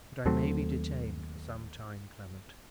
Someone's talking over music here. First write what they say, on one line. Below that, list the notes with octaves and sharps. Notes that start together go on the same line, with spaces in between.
But I may be detained for some time, Clement.
D#2 F#3 A3 C4